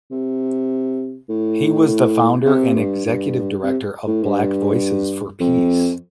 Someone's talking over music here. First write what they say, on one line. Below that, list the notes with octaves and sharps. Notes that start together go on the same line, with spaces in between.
He was the founder and executive director of Black Voices for Peace.
C3
A2
C3
G2
G2
C3
A2
G2
F2